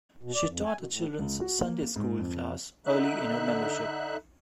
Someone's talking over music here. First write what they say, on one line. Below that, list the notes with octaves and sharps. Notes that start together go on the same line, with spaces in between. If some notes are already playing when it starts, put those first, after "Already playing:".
She taught a children's Sunday school class early in her membership.
B2
D5
F2
G#5
B2
A2
C#2
F#4
A#3
G#2
F2
D3 D#4 E5 F#6